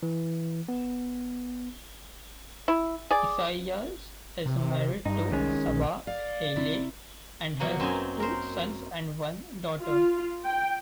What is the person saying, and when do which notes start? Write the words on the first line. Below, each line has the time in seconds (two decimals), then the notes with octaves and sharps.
Isaias is married to Saba Haile and has two sons and one daughter.
0.03 E3
0.69 B3
2.68 E4
3.11 G#4 D5
4.46 C3
5.06 G2 D#4
5.32 C2 D#3 G#3 C#4
5.68 A#1
6.07 D5 F5
6.56 C3 E4
7.60 B2 F#3 A#3
7.80 F#2 C4 D#4 G#5
8.20 A#4 C5
9.82 F4
10.45 G5